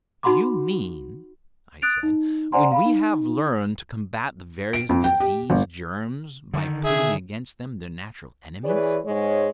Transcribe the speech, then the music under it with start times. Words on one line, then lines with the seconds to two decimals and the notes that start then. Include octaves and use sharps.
"You mean," I said, "when we have learned to combat the various disease germs by pitting against them their natural enemies."
0.23 D#4 F#4 F#5 B5 C6 D6
1.82 D#6 F#6 A6 D7 F7
2.03 D#4
2.52 C5 D5 F#5 G#5 A#5 C6
2.72 F5 B5
2.86 D#4
4.73 D7
4.89 F2
5.04 G5
5.20 G4
5.50 G1
6.54 D3 D#3
6.85 G#4 E5
8.64 E3 G#4 B4 C#5 D5
9.05 G#2 G#3 C#5